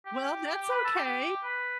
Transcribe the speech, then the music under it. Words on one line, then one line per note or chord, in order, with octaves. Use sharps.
Well, that's okay.
G4
B4
A4
G4
B4